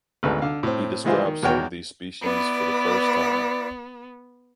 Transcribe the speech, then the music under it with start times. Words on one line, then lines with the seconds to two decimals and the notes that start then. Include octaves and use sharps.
He described some of these species for the first time.
0.23 G#1 D2 A4 B4
0.42 D3 F5
0.63 A2 C4
1.04 D#3 E3 G#3 E4 F4 C5
1.25 D#3
1.43 E2 D#3 F#4 A#4 C#5 G5
2.22 B3 E4 B4 D5